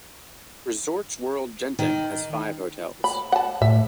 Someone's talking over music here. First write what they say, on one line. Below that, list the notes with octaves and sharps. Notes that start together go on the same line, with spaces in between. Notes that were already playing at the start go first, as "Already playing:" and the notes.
Resorts World Genting has five hotels.
D#3
B5
F#5 A5
A2 E5